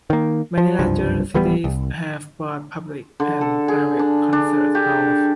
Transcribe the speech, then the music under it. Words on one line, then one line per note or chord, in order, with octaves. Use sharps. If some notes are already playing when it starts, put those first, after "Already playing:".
Many larger cities have both public and private concert halls.
D#3 A#3
F3
F#1 C2 G2 F3
D1 E3 G3 B3
C2
D3
A4
G#4
D4
D4
G4